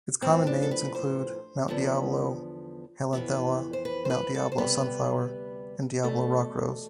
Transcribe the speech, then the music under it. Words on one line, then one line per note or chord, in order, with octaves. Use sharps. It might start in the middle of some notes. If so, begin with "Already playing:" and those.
Its common names include Mount Diablo helianthella, Mount Diablo sunflower, and Diablo rockrose.
A2 F3 B3 C4
D4
A4
B4
C5
E2 D3 F3 B3
F2 E3 B3
C5
B4
C5
B4
A4
C5
D2 C3 G3 B3 B4
E2 B2 A3 A4